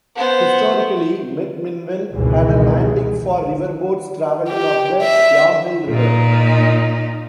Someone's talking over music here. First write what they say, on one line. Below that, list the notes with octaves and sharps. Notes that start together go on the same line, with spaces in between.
Historically, McMinnville had a landing for riverboats traveling up the Yamhill River.
B3 C5
G#1 C#2 G#2 B2 E3 G#3
G4
E5
A#2 D#4